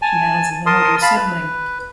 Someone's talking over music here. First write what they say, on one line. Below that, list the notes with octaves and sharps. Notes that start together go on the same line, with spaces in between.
She has an elder sibling.
G#5 A5
A#4 A5 C6 D#6
F5 A5 B5
B4